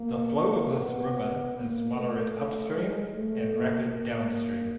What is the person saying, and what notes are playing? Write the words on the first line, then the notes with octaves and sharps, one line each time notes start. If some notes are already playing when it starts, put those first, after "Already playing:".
The flow of this river is moderate upstream and rapid downstream.
Already playing: A#3
A#3
B3
A#3
A3
G#3
A3
A#3
A#3